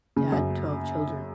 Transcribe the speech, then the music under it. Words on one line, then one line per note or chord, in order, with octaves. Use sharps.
They had twelve children.
C#3
F#2